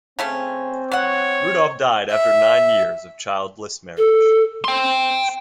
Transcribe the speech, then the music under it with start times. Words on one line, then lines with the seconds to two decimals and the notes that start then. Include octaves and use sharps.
Rudolph died after nine years of childless marriage.
0.19 C#3 A3 C4 C#4
0.92 B3 C#5 F#5
2.11 E5
3.98 A4
4.64 G5 C6